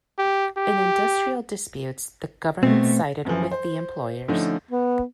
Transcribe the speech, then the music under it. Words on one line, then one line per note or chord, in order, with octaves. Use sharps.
In industrial disputes, the government sided with the employers.
G4
G4
B2 A3 C4
F#2 E3 F3
C5
D3 F3 A3 C#4 D#4
B3